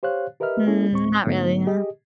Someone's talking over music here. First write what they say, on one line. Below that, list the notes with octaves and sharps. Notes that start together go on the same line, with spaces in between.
Mm, not really, yeah.
G4 C5 C#5 F5 F#6
G4 A#4 B4 D#5 E5 F6
A#3 C#4 E4 G#4 A4
D2 A2 C4 C#6
G#2 D3 F#3 A3 B3 D#4
G4 G#4 D#5